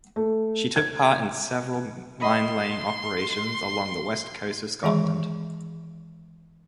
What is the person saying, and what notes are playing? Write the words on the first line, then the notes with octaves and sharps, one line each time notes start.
She took part in several minelaying operations along the west coast of Scotland.
A3
G#6
D#5 B5 C6
D#3 E3 G#3 G#4 C#6